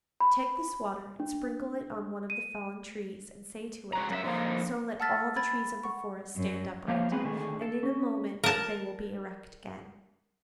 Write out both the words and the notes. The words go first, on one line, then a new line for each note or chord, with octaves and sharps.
'Take this water and sprinkle it on one of the fallen trees, and say to it: "So let all the trees of the forest stand upright," and in a moment they will be erect again.'
B5
D4
D#7
G#3 F#4 A#5
F#2 F#4 E5
D3 F3 A#3 D#4
F#5 A5 E6 F6 A6 B6
B5 G#6 A6
F#5 C#6
F#2
F3 A3 A#3 C5 C#5 F5
F#3 G#3 B3 C4 G#4 B4
D3 D#3 A3 G#4
A4
C#4
A#4 A5